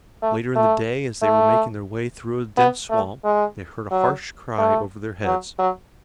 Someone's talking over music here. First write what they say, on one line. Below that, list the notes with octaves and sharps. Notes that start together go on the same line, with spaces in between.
Later in the day, as they were making their way through a dense swamp, they heard a harsh cry over their heads.
A3
A3
A3
B3
A3
G#3
F#3
A3
F#3
F#3